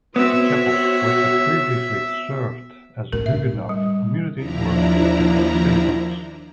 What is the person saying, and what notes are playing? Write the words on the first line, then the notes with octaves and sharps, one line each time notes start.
The chapels, which had previously served the Huguenot community, were adapted as synagogues.
B3 C4 F#4 C#5 E5
A2 C#3 A#4
E5
G3
D#2 F3 D4 E4 A#5